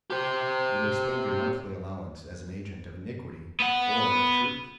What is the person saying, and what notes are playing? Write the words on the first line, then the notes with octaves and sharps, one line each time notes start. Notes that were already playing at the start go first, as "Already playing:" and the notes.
You may spend your monthly allowance as an agent of iniquity or of truth.
G4 C5
B3 F#5